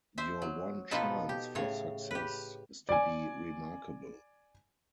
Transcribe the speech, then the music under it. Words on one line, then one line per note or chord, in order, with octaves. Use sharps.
Your one chance for success is to be remarkable.
C5 E5
F#3
B2 F3 D#4 A4 B4 A5
G4
A2 C#3 C#5
G4 B4
D5 G#5